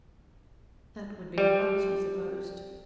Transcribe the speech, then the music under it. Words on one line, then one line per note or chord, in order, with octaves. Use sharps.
That would be all right, he supposed.
G3